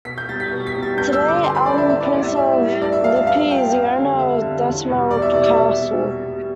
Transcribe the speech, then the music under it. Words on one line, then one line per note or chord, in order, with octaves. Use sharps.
Today, Armin, Prince of Lippe is the owner of Detmold Castle.
B2 B6
G6
G3 A6
B6
B2
B6
G3
A6
G2 G6
E6
D3 F3
D6
G2 C6
B5
D3 F3 D5
E5
A2 E5
D5
G3 D5
E5
A2 E5
G3
G2 D5
E5
F3 F5
F5
G2 F5
F3 G5
F2 F5
D3 G3
F2 E5
D3 G3
E2
B2 G3
E2 D5
E5
B2 G3 D5
E5
B2
G3
B2
G3